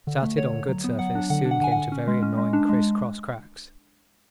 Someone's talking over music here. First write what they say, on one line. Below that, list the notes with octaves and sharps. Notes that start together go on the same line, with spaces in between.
Started on good surface, soon came to very annoying criss-cross cracks.
D3
A3
D3 C#5
D3
F#3
B3
F#3 F#5
D4
D3 F#5
D4
F#5
D3 G#5
D3 F#5
C#4
G#3
C#4
G#3
D4
G#3